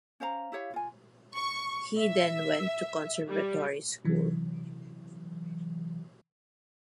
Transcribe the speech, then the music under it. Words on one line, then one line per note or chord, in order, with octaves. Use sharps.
He then went to conservatoire School.
C#4 C5 F5 A#5
E4 G4 C#5 F5
F4 G#5
C#6
E5
G3
C3 E3 F#3